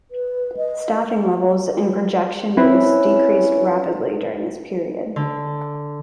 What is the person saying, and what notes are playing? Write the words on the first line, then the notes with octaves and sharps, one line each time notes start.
Staffing levels in projection booths decreased rapidly during this period.
B4
D#5
C4 C#4 E4 B4
D3